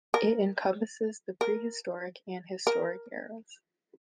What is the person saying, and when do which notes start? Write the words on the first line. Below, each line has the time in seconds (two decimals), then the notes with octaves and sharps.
It encompasses the pre-historic and historic eras.
0.14 A#4
1.41 A#4
2.67 A#4